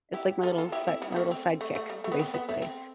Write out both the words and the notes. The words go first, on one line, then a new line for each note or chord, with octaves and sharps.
It's like my little set my little sidekick basically.
E4 G4
F4 A4
F4 A4
E4 G4
C4 E4
G3
B3
A3
C4
A3
A3
G3
A3
B3
C4
B3
A3
C4